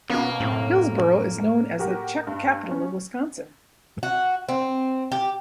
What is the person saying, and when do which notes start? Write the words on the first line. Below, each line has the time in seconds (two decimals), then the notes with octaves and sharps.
Hillsboro is known as the Czech Capital of Wisconsin.
0.10 B2 A#3 B3 C#4
0.40 F#1 A2 C4 F#7
1.79 F#4 G4 A#4
2.27 G2
2.71 C#4
4.03 F#4
4.49 C4
5.12 G4